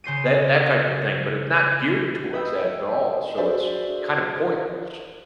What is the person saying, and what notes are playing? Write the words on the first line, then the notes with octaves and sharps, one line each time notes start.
that that type of thing, but it's not geared towards that at all, so it's kind of pointless.
C#3 C5 C7 D#7
B4 D#5 E5 G5
D4 F#4 G#4 C5 D5 E5